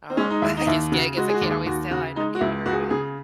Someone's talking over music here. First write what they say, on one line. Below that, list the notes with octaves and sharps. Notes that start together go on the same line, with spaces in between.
Oh, I guess I guess I can't always tell. I end up getting hurt and
C4
G#3 C#4
D#4
D#2 E4
D#4
D#2 E4
C#3 F#4
G#3 F#4
G#4
F#4
D#2
G#4
D#2 F#4
C#3 F#4
G#3 D#4
F#4
C#2 E4
C#2 F#4
G#4
F#4
C#3 G#4